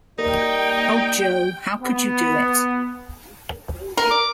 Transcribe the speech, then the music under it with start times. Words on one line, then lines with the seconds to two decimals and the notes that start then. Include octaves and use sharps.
O Jo, how could you do it?
0.18 G3 A#3 D#4 G5
1.81 B3
3.97 A#4
4.11 D6